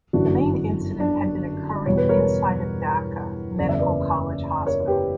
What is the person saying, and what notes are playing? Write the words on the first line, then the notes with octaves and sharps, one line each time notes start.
The main incident had been occurring inside of Dhaka medical college hospital.
G1 F#2 E3 D4 F#4
D4
E2 B2 G3 C#5
B4
A#4 C#5
F#1 E2 C#3 D5
E5
B4 D5
A#4 C#5
C#5
G4 B4